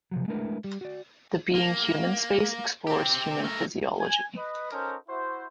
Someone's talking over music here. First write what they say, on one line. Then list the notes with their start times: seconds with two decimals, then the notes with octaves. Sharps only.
The Being Human space explores human physiology.
0.11 C3 F3 F#3
0.28 G#3 A3 D4 E4 A#4 B4
0.64 G3
0.81 F#4 D5
1.55 A#3
2.87 C4 G4
3.43 A3 A#4
3.99 G#5
4.36 B4 D#5
4.72 C#4 D#4 F#4 A4 A#4 C5
5.09 E4 F#4 C5